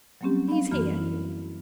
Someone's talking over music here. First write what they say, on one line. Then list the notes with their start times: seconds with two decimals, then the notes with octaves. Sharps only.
He's here.
0.21 F#3 G3 A#3 C4 C#4 G4
0.48 F5 B5
0.71 F#2 E3 A#3 F#4 B5 F6
0.97 E4